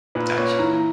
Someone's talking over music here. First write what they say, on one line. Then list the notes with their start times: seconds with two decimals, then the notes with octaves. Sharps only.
Got you.
0.15 A#2 B4
0.37 A#3 C#4 C#5
0.59 E3 A#5